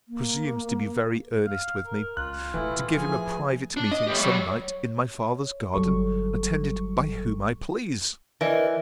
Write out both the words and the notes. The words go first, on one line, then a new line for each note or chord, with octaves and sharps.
He presumes to be very earnest with me, 'to give him a private meeting some night, in my father's garden, attended by whom I please.'
A#3
F5
A#4
C#2 F4 F#6
E1 A2 E3 E4
F3 G#4 G#5
D4
D#5
A3 G4
F#3 G3
C#5
G1 F#3 G3 A4 C#6
E3 A#4 D5 D#5